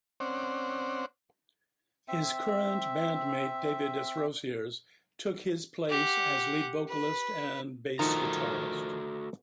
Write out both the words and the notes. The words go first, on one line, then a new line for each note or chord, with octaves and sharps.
His current bandmate David Desrosiers took his place as lead vocalist and bass guitarist.
C4 C#4 C5 D5 F#5
C4 E5
G4 F#5
B4
D#3 F3 A3 F#4 A#5